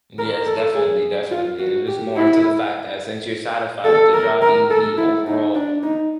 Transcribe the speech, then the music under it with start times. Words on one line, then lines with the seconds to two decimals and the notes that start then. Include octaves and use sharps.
Yes. Definitely, definitely, and it just more into the fact that since you're satisfied with the job, you'll be overall
0.19 A#4
0.46 A4
0.75 G#4
1.31 F4
1.59 F#4
1.87 G4
2.16 E4
3.85 A4
4.14 A#4
4.42 A#4
4.70 A4
4.98 E4
5.27 D#4
5.55 D4
5.83 D#4